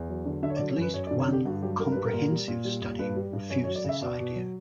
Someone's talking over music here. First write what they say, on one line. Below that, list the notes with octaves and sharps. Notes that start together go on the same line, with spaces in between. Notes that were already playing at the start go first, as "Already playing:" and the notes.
At least one comprehensive study refutes this idea.
Already playing: E2
F#3
D3
D3 E5
C#5
D5
F#3
C#5
F#2 B4
F#2 C#5
D5
D3
C#5
D3 G4
G2 F#4
F#3 G4
G2 A#4
G3 B4
A#4
A#2
G3
A#2
G3
A#2
G2 B4
G3
G2
F#2 C#5
C#5
F#3
D5
C#3 E5
B2 D5
B2
F#3